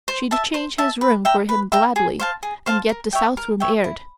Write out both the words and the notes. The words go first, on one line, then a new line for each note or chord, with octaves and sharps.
She'd change his room for him gladly, and get the south room aired.
C5
E5 A5
C5
E5 A5
B4
E5 G5 A#5
B4
E5 G5 A#5
G#4
C5 F5 A5
G#4
C5 F5 A5
A#4
C#5 E5 G5
A#4
C#5 E5 G5
E4